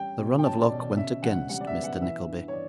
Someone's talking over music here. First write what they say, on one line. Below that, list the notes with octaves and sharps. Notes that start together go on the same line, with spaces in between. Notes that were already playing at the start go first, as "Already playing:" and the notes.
The run of luck went against Mr Nickleby.
Already playing: G3 C#4 G5
B2
G5
C#4 A5
D5
B2
D5
C#3 E5
C#2 F#5
G3 F#5
D5
E5
B3
F#5
E3 E5
G2
C#5
D5